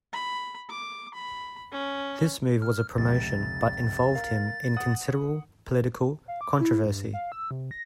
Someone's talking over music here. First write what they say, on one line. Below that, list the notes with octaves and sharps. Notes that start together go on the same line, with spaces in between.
This move was a promotion but involved him in considerable political controversy.
B5
D6
B5
C#4
F6
F1 C#2 A6
A#4 F5
F#5 D#6
F5
D6
E4
G2
F5
E6
C3
A#6